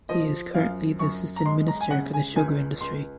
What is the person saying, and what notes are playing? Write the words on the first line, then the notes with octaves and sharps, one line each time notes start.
He is currently the Assistant Minister for the Sugar Industry.
F3 D#5
F#2 F5
F#2 C#6
A#5
G#3 C6
A#5
G#5
C#3 F#5
G#5
C#2 G#5
C#2 C6